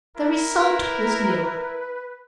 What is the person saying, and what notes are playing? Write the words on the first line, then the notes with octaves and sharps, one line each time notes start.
The result was nil.
E4 A#4
B4